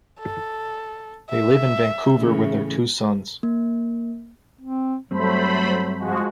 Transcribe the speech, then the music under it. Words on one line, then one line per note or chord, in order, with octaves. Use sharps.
They live in Vancouver with their two sons.
A4
E5
A2 C#3 E3
A#3
C4
G2 F#3 G3 A3 C4 C5 B5
F3 G#3 F#4